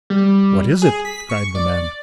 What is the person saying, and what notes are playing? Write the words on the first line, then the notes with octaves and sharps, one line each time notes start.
"What is it?" cried the men.
G3
G#4
B6
C#6
D5